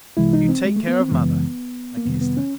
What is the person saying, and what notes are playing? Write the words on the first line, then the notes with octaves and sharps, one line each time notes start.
"You take care of Mother." I kissed her.
C2 C3 E3 G#3 E4
D#4
C4
G#3
A3
B3
C4
F#2 C#3 E3 G#3 B3
A#3
F2 C3 D#3 G3 B3
B3
C#4